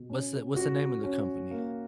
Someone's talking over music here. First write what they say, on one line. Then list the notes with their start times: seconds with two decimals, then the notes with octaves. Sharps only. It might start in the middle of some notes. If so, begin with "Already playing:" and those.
What's the what's the name of the company?
Already playing: B2
0.10 C#4
0.56 C#4 F#4
1.04 C#4
1.51 A#3